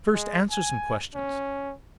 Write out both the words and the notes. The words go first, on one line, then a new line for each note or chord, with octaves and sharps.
First answer some questions.
G#3
G#5
C#4